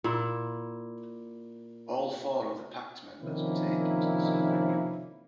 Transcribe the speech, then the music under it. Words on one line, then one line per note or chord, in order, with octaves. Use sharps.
All four of the pact members were taken to the Soviet Union.
A#2 E4
C3 D#3 F3 A#3 C#4 E4